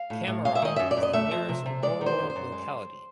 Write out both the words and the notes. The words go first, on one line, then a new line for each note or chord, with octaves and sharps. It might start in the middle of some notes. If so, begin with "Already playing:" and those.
Komarov is the nearest rural locality.
Already playing: F5
A2
A2
G#3 F5
E5
D#3 D#5
F#2 E5
D5
F#2
D#5
A3 E5
F3
C3
C3
G#3 D5
D#3
C5
F#2
C5
F#2
G#3